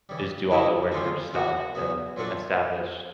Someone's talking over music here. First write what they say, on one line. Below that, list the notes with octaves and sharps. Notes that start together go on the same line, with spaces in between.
just do all the work yourself to establish
C#3 E3 G3
C#3 F#3 A#3 D#4 E4 F#4
F2 D3 F#3 A3 C#4 F4
C#3 F3 A#3 C#4 F#4
C#3 F#3 B3
A#2 F#3 A3 D4 F4 F#4